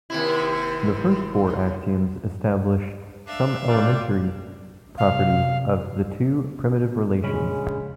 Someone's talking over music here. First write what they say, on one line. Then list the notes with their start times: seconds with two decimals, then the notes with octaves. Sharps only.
The first four axioms establish some elementary properties of the two primitive relations.
0.10 D#2 C3 E4
3.27 D4 E5 F5
3.68 C3 G3 D4 F4 D5
4.98 C3 F5
7.23 A#1 C#3 G#3 C#4 B5